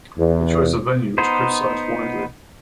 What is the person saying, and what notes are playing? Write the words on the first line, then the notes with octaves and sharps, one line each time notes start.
The choice of venue was criticised widely.
E2
B3 D#4 C5